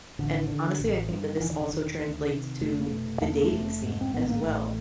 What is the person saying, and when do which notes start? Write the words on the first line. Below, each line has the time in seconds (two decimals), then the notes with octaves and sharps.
And, honestly, I think that this also translates to the dating scene as well.
0.19 A1 D3
0.49 D3
0.79 A1
1.10 G2
1.40 E1 E3
1.51 D#3
1.62 D3
1.70 E1 D#3
2.01 D2
2.31 C3
2.61 F1 A3
2.80 A#3
2.91 B2 A3
3.21 E2 A3
3.32 A#3
3.44 A3
3.51 F1
3.82 G#2
4.01 C4
4.12 A1 B3
4.29 A#3
4.42 A1 A3